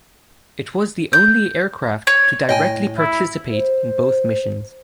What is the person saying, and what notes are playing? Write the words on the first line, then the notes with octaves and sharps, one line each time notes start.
It was the only aircraft to directly participate in both missions.
G6
C#5
A2 C#5 D#5 G5 G#5
E4
C5